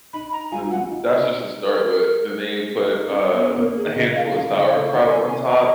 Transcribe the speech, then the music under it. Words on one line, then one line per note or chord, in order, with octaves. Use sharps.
and then that's just to start with, then they put, uh, a handful of sauerkraut on top.
D#4 B5
A#5
F4 G#5
F#4
F4 F#5
D#4
C#5
A#4
D#4
C#4
B3
B3
A#3 A#4
G#4
D#3
C#3 D#5
F5
D#3 F5
C#3 D#5
C#3 F5
D#3 F#5
G#5
G#5
A#5